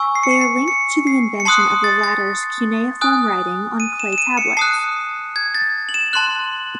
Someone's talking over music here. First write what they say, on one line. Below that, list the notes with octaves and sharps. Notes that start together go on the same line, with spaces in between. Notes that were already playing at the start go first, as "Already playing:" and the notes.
They are linked to the invention of the latter's cuneiform writing on clay tablets.
Already playing: G#5 C#6 E6
C7
C#7
C7
C7
C#7
C7
C#7
A5 C6 D#6 F#6 C7
A6
A6
G#5 D#6 F#6
D#7
E7
E7
D#7
C#7
A5 D#6 F#6 C7
G#6
A6
F#7
E7
A5 C6 F#6 F#7